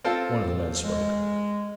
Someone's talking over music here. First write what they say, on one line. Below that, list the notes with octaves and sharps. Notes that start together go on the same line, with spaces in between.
One of the men spoke.
C4 F4 A4
G#3